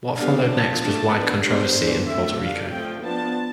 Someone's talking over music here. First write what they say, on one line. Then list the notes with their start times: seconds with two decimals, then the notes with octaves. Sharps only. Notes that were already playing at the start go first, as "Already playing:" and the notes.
What followed next was wide controversy in Puerto Rico.
0.16 D3 G3 B3 D4 F5
0.48 F3 C4 A5
0.80 D3 A3 D4 A5
1.12 F3 B3 D4 B4
1.43 D3 G3 B3 D4 C5
1.76 E3 B3 D4
2.07 D3 A3 C4 E5
2.40 G3 D4 F5
2.71 F3 A3 C4 G5
3.03 F3 B3 D4 A5